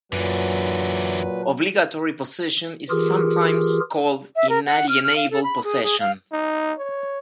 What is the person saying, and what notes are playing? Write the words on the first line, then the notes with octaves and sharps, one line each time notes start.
Obligatory possession is sometimes called inalienable possession.
F#2 A#2 D3 E3 F#3 B4
E3 F4 G4 G#4 A#4
E5
A#4
F#5
F6
F6
F5
A4
B5
G#4
G#4
F5
D#4
C#5